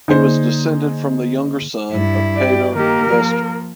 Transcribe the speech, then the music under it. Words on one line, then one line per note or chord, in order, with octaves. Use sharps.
He was descended from the younger son of Peder Wester.
D3 A#3 D#4 G#4 C5
G2 E4
G4 D5
D#3 A#3 G4 A#4
F3